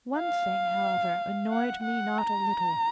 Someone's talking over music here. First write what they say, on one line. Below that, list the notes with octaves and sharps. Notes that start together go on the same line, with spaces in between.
One thing, however, annoyed me not a little.
F5
F#5
F#5
A#5